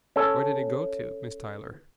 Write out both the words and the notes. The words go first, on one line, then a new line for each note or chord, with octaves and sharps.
"Where did he go to, Miss Tyler?"
C#4 A4